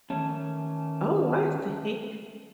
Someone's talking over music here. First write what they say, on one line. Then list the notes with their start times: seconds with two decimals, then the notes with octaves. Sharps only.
Oh, I see.
0.10 D#3 A3 C#4 A4